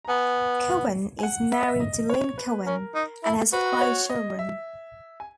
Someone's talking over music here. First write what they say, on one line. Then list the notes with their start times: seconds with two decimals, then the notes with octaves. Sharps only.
Cohen is married to Lynn Cohen and has five children.
0.05 A#5
0.08 B3 G#5
1.19 G#5
1.23 F#5
1.52 E5
1.60 D#5
1.68 E5
1.80 D#5
2.10 C#5
2.38 B4
2.66 C#4 A#4
2.95 D#4
3.24 E4
3.53 F#4 B4
3.73 D#5
3.81 C#5
4.10 D#5
4.39 E5
5.20 G#5